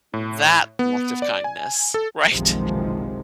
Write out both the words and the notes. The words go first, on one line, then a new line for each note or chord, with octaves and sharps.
That act of kindness. Right?
A2
B3
D5
G#5
A4
F#1 B1 C3 D#3 F3 G#3